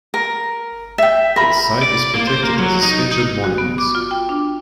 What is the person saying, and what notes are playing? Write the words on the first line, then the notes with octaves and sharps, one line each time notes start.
Its site is protected as a Scheduled monument.
A#4
E5 G5
A#4 B5
D5
A#3
C5
A#3
F#3
D#4
D#4
F#4
B3
D6
F4
G5
D4